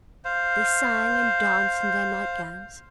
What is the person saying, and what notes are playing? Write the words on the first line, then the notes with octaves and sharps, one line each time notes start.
They sang and danced in their night-gowns.
C5 F5